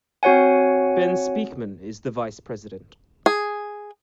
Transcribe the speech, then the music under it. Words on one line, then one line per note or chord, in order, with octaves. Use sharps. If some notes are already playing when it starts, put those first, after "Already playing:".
Ben Speakmon is the vice-president.
C4 F#4 C#5 F#5 G#5
G#4